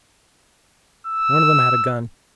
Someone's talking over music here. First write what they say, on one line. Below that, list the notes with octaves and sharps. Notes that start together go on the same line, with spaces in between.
One of them had a gun.
E6